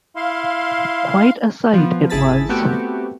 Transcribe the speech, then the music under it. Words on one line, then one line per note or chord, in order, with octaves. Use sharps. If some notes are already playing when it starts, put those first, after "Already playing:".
Quite a sight it was.
E4 F5 C6
F3 B3
G#1 E4 G#4 A5 A6 B6
A3 B3 C4 F#4 G4